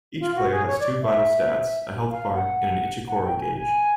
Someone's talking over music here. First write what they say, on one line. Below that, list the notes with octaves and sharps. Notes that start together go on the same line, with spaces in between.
Each player has two vital stats, a health bar and an Ichikoro Gauge.
F4
F#4
G#4
C#5
D5
E5
F5
F#5
F#5
G5
G#5
G#5